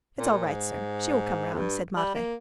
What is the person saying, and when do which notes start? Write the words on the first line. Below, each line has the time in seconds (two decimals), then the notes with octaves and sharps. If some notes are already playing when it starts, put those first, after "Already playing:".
"It's all right, sir; she will come round," said Matvey.
0.19 A#2
0.46 G#2
1.54 F2
1.59 G2
1.96 G3
2.15 A#3